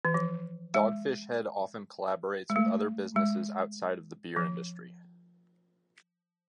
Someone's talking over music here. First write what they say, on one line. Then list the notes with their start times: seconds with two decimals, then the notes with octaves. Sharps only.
Dogfish Head often collaborates with other businesses outside of the beer industry.
0.05 E3
0.14 F3
0.74 G#3
2.50 G#3
2.56 A3
3.16 G#3
4.36 F3